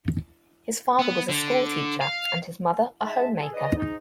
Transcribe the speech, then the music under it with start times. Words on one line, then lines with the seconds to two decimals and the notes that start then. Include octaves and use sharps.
His father was a school teacher and his mother a homemaker.
0.99 B3
1.29 D3
2.01 F5
3.04 G#3 D#4 E5 A5
3.41 G#4 A4
3.53 G#2 B4 D5 D#5
3.76 G#2 D#4